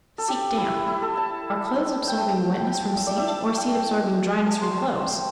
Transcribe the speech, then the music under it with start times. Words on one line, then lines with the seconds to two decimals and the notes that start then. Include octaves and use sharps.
Seat damp... are clothes absorbing wetness from seat, or seat absorbing dryness from clothes?...
0.18 A4
0.28 G4
0.57 E4
0.88 E4
1.02 A4
1.17 A5
2.08 G5
2.18 A5
2.30 G5
2.67 G5
2.97 E5
3.07 D5
3.17 E5
3.27 A5
3.57 G5
4.47 A5
4.61 C6
4.77 A5
5.07 G5